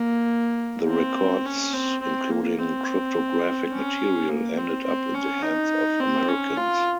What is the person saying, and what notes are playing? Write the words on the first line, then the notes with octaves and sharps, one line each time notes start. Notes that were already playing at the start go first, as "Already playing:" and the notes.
The records, including cryptographic material, ended up in the hands of Americans.
Already playing: A#3
C4
C#4
C4
C4
A#3
C4
C#4
A#3
C4
C4
C#4
D#4
C4
C#4
F4